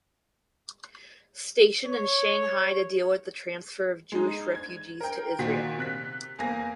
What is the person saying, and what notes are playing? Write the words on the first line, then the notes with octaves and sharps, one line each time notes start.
Stationed in Shanghai to deal with the transfer of Jewish refugees to Israel.
C#5
G#3 D#4
G#6
A#4 G5
A#2 D#3 F#4 B6
C3 F#6 B6
E2 A#3 G#5 A#6